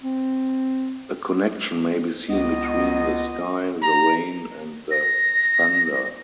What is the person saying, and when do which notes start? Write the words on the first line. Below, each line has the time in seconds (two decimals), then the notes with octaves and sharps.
A connection may be seen between the sky, the rain, and the thunder.
0.03 C4
2.29 C#2 B3 D#5
3.82 A#5
4.91 A#6